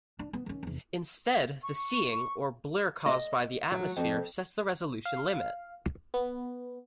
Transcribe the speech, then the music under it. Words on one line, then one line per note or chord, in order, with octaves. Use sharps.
Instead, the seeing, or blur caused by the atmosphere, sets the resolution limit.
D4
B3
D#3 C#4
F1 E2
C#6
D#5
F#3
F2
F5
B3